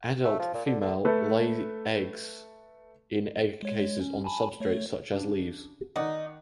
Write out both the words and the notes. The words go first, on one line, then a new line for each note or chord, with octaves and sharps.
Adult female lay eggs in egg cases on substrate such as leaves.
A3
F3
A#2
D3
D3
A3 A4 B4
G#3 C#5
C#4
G#5 A5 B5
A3 C#5
C#3 D4
D#3 D#4 D5 F#5